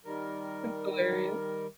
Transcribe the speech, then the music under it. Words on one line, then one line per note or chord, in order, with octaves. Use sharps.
That's hilarious.
D#3 G3 A#4